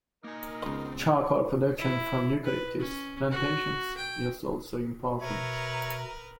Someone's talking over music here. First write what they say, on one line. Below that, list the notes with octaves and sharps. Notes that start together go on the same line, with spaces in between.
Charcoal production from eucalyptus plantations is also important.
A#3 D#4 A#4 G#5
C#2 B3 C4
E4
B4
C#4
F#4
G5
B2 A#4 B4 C#5 E5 A#5